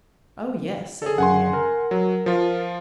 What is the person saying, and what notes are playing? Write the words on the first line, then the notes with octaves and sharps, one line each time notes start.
"Oh yes," said Henriette.
G#4 A4
F#2 C#3 F#5 G#5 C6
A#4
F#3
F3 F4